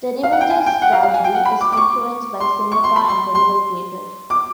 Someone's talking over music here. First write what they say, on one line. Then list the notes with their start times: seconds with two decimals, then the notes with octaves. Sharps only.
"The Revenger's Tragedy" is influenced by Seneca and Medieval theatre.
0.23 F5
0.32 F#5
0.41 G5
0.50 G#5
0.66 G5
0.82 F#5
0.92 F5
1.03 F5
1.14 G#5
1.24 G5
1.35 F#5
1.45 B5
1.61 D6
1.72 D6
1.77 C#6
2.40 C6
2.72 C#6
2.84 C6
2.96 B5
3.09 C6
3.35 C6
4.30 D6